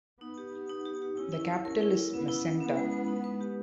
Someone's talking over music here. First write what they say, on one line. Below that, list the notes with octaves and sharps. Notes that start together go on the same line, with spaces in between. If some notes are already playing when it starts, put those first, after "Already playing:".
The capital is Macenta.
B3 D#4
G4
G4
D#4
G4
G4
C#4 E4
E4
C#5
C#4 A#4
E4
E4
B3 C#4
E4
E4
B3 C#4
G#3
G#3
D#4
B4
G4